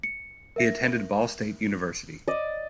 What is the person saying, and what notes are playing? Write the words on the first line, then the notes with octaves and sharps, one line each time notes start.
He attended Ball State University.
C#7
A#4 E5 A#6
D5 D#5